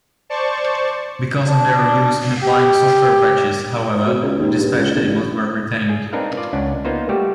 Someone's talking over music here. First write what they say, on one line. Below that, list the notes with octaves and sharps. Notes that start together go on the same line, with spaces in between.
Because of their use in applying software patches, however, the dispatch tables were retained.
C5 D5 A5 C#6
D4
G4
B2
C#2
D#2
G2
C#2
G1
A1
G#4
C4 D4 D#4 A#4 B4 F5
F4 D5
C#2 C#4 D4 F#5
A#3 B3 D#4 F4 C5
G3 A3 F#4 G4